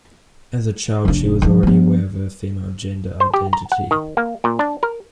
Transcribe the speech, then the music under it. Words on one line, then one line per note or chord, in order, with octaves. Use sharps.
As a child, she was already aware of her female gender identity.
F1 D4
D3 F3
F3 B3
C5
G4
A#5
F#5
D#3
A#3
A#2
D4
A#4